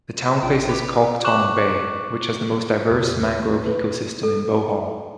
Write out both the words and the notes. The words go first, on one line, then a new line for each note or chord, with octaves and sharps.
The town faces Cogtong Bay which has the most diverse mangrove ecosystem in Bohol.
A1 F3 D4 G5
G4 B4
C#6 D6 F#6 E7 F#7
A#3
F2 C#3 G4
D#2 A3 C#4 B4
A4